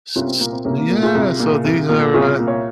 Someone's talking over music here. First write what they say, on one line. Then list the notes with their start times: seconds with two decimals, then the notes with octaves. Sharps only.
s s Yeah, so these are my
0.16 C2 C#4 F4
0.27 C4
0.40 A#2 A#3
0.53 C4
0.65 C2 A#3 C#4
0.77 A#3
0.90 A#2
1.03 F4 G#4
1.15 C2
1.40 A#2
1.65 C2
1.89 A#2
2.14 C2 F4 G#4
2.39 A#2
2.47 C#5 F5